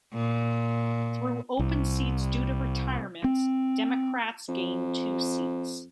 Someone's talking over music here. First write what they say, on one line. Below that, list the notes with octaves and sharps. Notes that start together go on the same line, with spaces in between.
Through open seats due to retirements, Democrats gained two seats.
A#2
C2
C4
F2